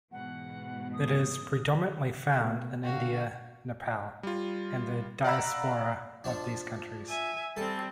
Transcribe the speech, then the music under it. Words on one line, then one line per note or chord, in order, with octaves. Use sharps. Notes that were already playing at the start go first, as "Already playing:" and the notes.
It is predominantly found in India, Nepal and the diaspora of these countries.
G#2 B2 E3 F#5
D#6
B2 A3
D3 F#4 F5 G5
G3 F4
D5 F5 F#5 A#5 B5 E6
F3 D4
E5 G#5
G3 C4 A4